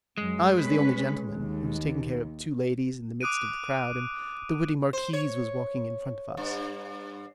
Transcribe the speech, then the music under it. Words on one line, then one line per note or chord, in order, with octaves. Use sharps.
I was the only gentleman; I was taking care of two ladies in the midst of the crowd, and the witty marquise was walking in front of us.
F#2 F#3 G#3
G3 C#4 B4
D#2
D6 D#6 F#6 D7 D#7
C5
C#5
G2